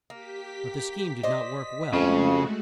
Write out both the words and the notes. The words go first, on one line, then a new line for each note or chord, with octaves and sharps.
But the scheme did not work well.
A#3 G4 B6
C5 D5 D#5 B6
F2 C#3 G#3 A3 F#4